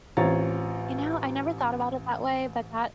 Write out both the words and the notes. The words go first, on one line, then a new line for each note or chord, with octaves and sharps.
You know, I never thought about it that way, but that
A1 C4 F4 C#5 A#5 A6